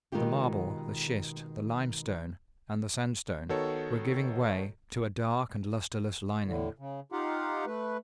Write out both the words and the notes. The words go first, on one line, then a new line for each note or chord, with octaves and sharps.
The marble, the schist, the limestone, and the sandstone were giving way to a dark and lustreless lining.
B2 D#3 G#3 F4 G4
D#3 B3 F#4 A4 C#5
A2 D3
C#3
D#4 F4 G4 F5 F#5
A3 B4